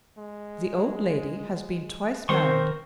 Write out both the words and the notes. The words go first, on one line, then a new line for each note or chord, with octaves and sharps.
The old lady has been twice married.
G#3
D#3 C4 A#4 C5 C6 C#6